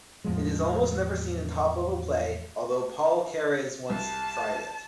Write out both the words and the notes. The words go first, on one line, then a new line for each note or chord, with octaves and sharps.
It is almost never seen in top-level play, although Paul Keres once tried it.
E2 A2 F3 G#3
C2 A5